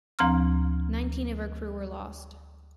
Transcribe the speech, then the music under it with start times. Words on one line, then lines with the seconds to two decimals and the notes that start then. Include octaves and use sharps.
Nineteen of her crew were lost.
0.19 D2 F3 C4 A#5 C6 F6